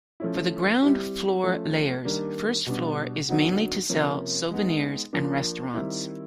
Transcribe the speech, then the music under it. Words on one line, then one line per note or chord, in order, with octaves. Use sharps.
For the ground floor layers, first floor is mainly to sell souvenirs and restaurants.
F3 A3 C#4 E4
G3 C4 E4 G4
F3 A3 C#4
D#3 G3 A#3 D4
B2 G3 B3 D4
D3 F#3 B3 D#4 F#4
C3 F3 A#3 C#4
G#3 B3 D#4
F3 A#3 D4
D#3 G3 C4 E4